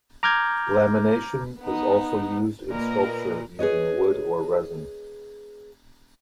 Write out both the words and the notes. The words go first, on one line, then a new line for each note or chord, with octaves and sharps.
Lamination is also used in sculpture using wood or resin.
A#5 D6 F6 G6 G#6
B3 D#4
A#2 A#3 A#4 B4 D#5 A#5
G#4 B4 C#5 D#5